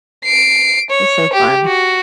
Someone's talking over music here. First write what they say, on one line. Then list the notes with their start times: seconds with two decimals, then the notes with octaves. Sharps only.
was so fun.
0.25 C7 D7
0.90 C#5
1.33 G4
1.66 F#4